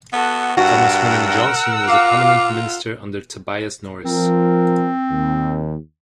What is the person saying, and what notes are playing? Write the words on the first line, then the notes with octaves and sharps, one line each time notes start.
Thomas Herman Johnson was a prominent minister under Tobias Norris.
B3 F#4 A4
G2 F#4 A#4 F#5 E6
F4 F5 D6
F3 C4 A#4
D#2